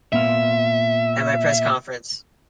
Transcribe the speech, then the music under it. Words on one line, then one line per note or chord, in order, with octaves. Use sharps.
At my press conference.
A#2 B3 E5 F5